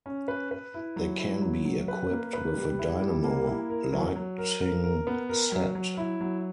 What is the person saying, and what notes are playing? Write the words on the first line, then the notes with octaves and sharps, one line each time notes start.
They can be equipped with a dynamo lighting set.
C#4
B4
B4
E4
F#3
E4
F#3
F#3
B4
A#3
B4
G3
E4
G3
A#3
E4
A#4
F#3
F#3
A#4
A#4
A#4
B3
A#4
F#3
F#3
E4
F#3